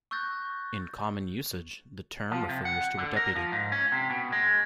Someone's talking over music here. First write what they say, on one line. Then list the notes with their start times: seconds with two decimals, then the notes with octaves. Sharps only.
In common usage, the term refers to a deputy.
0.11 C#6 E6 F#6 G6 A6 A#6
2.31 F3
2.49 C3
2.65 F#5
2.98 D3
3.17 A#4
3.35 F3
3.52 G#2
3.72 C#4
3.92 C3
4.10 B2
4.32 G#3